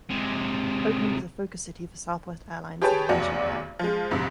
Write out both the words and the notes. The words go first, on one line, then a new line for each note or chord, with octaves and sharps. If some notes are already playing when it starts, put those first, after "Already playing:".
Oakland is a focus city for Southwest Airlines and Allegiant Air.
C3 G#3
G4 G#4 B4 C#5 G5 A5
F1 B1 E2 F#4 D5
F3 G#3
D2 G#2 C3 F3